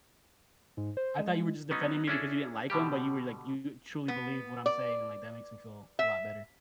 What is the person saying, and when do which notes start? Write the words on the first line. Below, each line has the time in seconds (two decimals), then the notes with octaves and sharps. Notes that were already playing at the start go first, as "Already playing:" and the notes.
I thought you were just defending me because you didn't like him, but you were like you truly believe what I'm saying, and, like, that makes me feel a lot better."
0.77 G#2
0.97 C5
1.19 G#3
1.71 F#3 B3 C#4 D#4
2.08 C#4 D4 E4 G#4 A4
2.70 B2 D3 G3 G4
4.08 B3
4.66 D5
5.99 E5